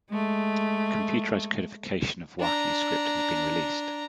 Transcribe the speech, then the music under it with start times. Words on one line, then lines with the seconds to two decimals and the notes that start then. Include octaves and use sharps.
A computerized codification of Wakhi script has been released.
0.10 G#3 A3
2.39 D4 A#5